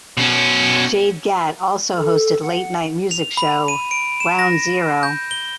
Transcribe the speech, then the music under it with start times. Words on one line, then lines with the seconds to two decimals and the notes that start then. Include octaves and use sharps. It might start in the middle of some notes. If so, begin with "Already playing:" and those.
Jade Gatt also hosted late night music show "Ground Zero".
0.17 B2 C#4
1.97 A4
2.43 F#5
3.11 F7
3.37 B5
3.68 D#7
3.91 D7
4.20 E7
4.39 A#6
5.03 G6
5.31 G7